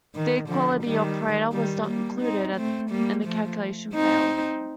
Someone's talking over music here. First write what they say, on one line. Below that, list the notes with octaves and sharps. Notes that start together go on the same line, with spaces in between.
The equality operator was not included and the calculation failed.
D#3
D3 F3
D#3 G3
D#3 G3
G3 A#3
C4 D#4
A3 C4
G3 A#3
F3 A3
C4 D#4